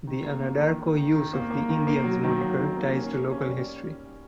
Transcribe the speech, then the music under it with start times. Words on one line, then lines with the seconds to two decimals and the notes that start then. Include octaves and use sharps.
The Anadarko use of the "Indians" moniker ties to local history.
0.07 D#3
0.24 A#3
0.43 A#3
0.61 D#3
0.79 D#3
0.97 D#3
1.15 D#3
1.33 A#3
1.51 A#3
1.69 D#3
1.87 A#3
2.04 F#3
2.23 D#3
2.41 F#3
2.59 D#3
2.77 A#3
2.95 C#4
3.13 C#4
3.31 C#4
3.48 G3